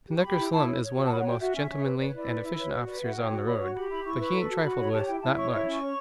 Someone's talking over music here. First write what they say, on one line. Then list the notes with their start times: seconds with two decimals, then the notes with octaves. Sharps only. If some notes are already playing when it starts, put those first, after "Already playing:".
Conductor Slum is one of the most gentlemanly and efficient officers on the road; but he ain't trifled with, not much.
0.08 G4
0.16 C#6
0.23 G4 B5
0.37 E4
0.52 E4 A5
0.66 C#5
0.82 C#5
0.96 F#4
1.05 A5
1.11 C#5 B5
1.19 F#5
1.26 F#4 G5
1.40 F#4 E5
1.55 C#4
1.70 C#4
1.84 B4
1.99 B4 D5
2.07 C#5
2.13 E4 D5
2.29 B4
2.42 E4
2.57 B4 C#5
2.72 F#4
2.86 B4 D5
3.02 F#4 E5
3.16 C#5 G5
3.30 F#4
3.45 C#5 B5
3.59 F#4 C#6
3.75 G4 B5
3.89 E4 B5
4.04 E4 C#6
4.19 B4
4.33 A4
4.49 F#4
4.62 F#4 B5
4.78 C#5 B5
4.92 G4 A5
5.06 E4 G5
5.21 E4 A5
5.36 C#5 C#6
5.51 E4 C#6
5.65 C#4
5.72 C#6
5.81 C#5